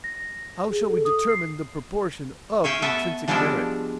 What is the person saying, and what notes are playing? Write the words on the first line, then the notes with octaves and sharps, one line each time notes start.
How shall we determine the proportion of intrinsick merit?
A#6
G#4
A4
D#6
C7
C#4 E5 F5 G5
B3 A4 E5
F3 G3 G#3 B3 C4 D4